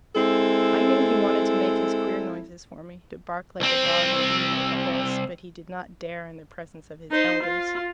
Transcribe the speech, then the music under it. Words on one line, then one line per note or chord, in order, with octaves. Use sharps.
I knew he wanted to make his queer noises for me--to bark like a dog or whinny like a horse,--but he did not dare in the presence of his elders.
G#3 C4 E4 A4
C2 C4
D#4 C5
F4